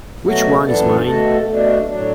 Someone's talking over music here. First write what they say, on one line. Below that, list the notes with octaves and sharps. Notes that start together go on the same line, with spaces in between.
Which one is mine?
B2 F#3 A3 F#4
F#2 E3 B3 D4 A4
B2 A3 F#4 A4
B2 A3 D4
A2 F#3 D4